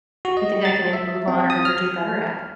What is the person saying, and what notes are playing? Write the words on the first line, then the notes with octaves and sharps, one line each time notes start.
you think I can improve on or or do better at?"
F#4
D#5
A6
E5
C4
D#6
F6